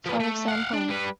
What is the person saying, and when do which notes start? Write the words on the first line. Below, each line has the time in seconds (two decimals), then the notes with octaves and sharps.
For example.
0.06 F3 B3
0.20 A3
0.48 F5 F#5
0.73 D4
0.89 G3 B4